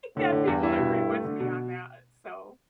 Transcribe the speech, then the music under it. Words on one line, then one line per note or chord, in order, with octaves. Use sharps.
that people agree with me on that, so
A2 D3
D3
E2 G2
E4
B2
E4
A3
D3
B2